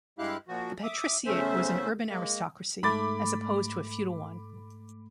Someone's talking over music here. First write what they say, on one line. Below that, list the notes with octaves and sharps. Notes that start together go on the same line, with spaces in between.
The patriciate was an urban aristocracy, as opposed to a feudal one.
G2 G#3 E4 G4 F5 F#6
A#2 F3 F#4
E5 D6 D#6
E2 C#3 A3 C#4 C5 E5
G#3 A#3
G#2 A3 B5 D6 A6